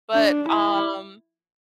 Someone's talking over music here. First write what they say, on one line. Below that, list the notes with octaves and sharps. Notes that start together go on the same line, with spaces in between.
But, um,
D4
E4